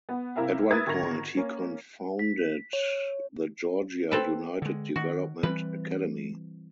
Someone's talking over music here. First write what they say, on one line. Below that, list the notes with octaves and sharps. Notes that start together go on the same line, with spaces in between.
At one point he cofounded the Georgia United development academy.
B3
C3 E4 A#4 E5 F5
A#4 B4 E5 D#6 G#6 A6
G#1 D3 A#4 C#6 A#6 F7
A#3 C#4
B6
C#5
C4 A4 B4
D3 G#3
D#3 F#4
E3 G3 C4 B4